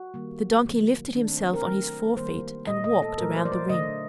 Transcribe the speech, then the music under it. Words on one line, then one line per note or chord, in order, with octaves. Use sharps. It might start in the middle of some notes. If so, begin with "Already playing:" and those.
The Donkey lifted himself on his four feet and walked around the ring.
Already playing: F#4
D#3 G3 A#3
C3 D#3 F#3 A#3
D#3 A3 D4
C4
C4
A#4
D#3 F#3 A3
D#3 G3 A#3 C5
A#2 A3 D#5
D#5
A4
A#2 F#3 A3 A#4
C5
D5
C5
D3 A3 D#5